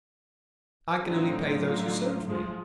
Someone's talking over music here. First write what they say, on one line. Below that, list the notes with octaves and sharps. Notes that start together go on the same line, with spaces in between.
I can only pay those who serve me.'
A2 D3 F#3 C4 D#4 F4
D3 D#4
F3 G#3